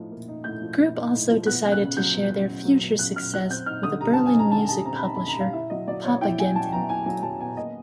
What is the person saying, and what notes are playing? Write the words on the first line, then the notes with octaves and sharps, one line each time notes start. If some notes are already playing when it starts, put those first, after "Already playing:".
Group also decided to share their future success with a Berlin music publisher "Popagenten".
Already playing: A2 F3 D#4
A#3
D#4
A2 G6
F3
A#3
D#4
A2
F3
B3 F#6
C#3
F#6
C#3
F#3 G6
B3
C#3
C#3
F#3
B3
C#3 F#6
C#3 F6
F#3 F#6
C4 G6
D#4 F6
D3 D#6
G3 A#5
C4 A5
G#5
D#4 A#5
D3 A5
G3 A5
C4 A#5
B5
D#4 A#5
D3 B5
A#5
G3 F5
E4 E5
F#3 D#5
F#3 D5
B3 C#5
E4 G5
F#3 G#5
F#3 A5
B3 A#5
E4 G#5
F#3 G#5
F#3 A5
B3 G#5
A#3 D#5